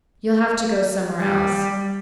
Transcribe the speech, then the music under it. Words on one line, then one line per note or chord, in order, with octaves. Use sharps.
"You'll have to go somewhere else."
G3